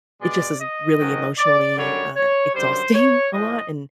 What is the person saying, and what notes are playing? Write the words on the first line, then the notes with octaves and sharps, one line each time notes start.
It just is really emotionally, uh, exhausting a lot, and,
B2 G#3 D5
D#5
G#2 D#3 F#3
D5
F#2 D3 G3 C#5
C#5
F#2 D3 G3 C5
C#5
A2 F3 G#3 D#5